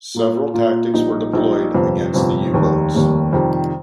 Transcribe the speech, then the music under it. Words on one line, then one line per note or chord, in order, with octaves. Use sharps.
Several tactics were deployed against the U-boats.
A#2 A#3 F4
A#2 A#3 F4
A#1 A#2 G3 D#4
A#1 A#2 G3 D#4
G1 F2 C3
G1 F2 C3
F1 D#2 D#3 G3 A#3
F1 D#2 D#3 G3 A#3
F2 C3 D#3 G3